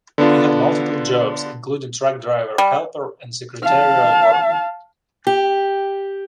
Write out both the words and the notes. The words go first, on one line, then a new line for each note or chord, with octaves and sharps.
He had multiple jobs, including truck driver helper and secretarial work.
D3 B3 D4 F4
G3
F5 A5
G4